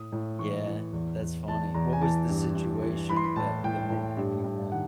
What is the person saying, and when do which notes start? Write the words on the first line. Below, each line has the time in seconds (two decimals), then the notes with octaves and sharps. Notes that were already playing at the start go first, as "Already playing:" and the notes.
Yeah, that's funny. What was the situation that that made you think that?
Already playing: A2 D#6
0.12 A2
0.39 E3 C#6
0.66 E3
0.93 E2
1.21 E2
1.48 E2 A5
1.74 E2 A#5
1.93 G#5
2.02 E3 A5
2.29 G2
2.55 G2
2.82 E3
3.09 E3 B5
3.16 C6
3.24 B5
3.36 A2 A5
3.64 A2 G5
3.90 A2
4.17 G2
4.44 G2
4.72 D#3 F#5